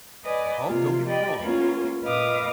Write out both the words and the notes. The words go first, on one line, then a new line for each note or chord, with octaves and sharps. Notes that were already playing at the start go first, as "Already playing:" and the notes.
Oh, don't get me wrong,
B4 D5 D#5 G#5
C3 A#3 F4
G4 D5 D#5 G5 B5
E2 A#3 C#4 F4
A#2 B4 D#5 F5 D6 D#6